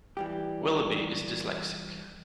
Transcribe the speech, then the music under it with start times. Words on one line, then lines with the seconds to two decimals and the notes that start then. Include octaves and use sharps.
Willoughby is dyslexic.
0.17 E3 G3 G4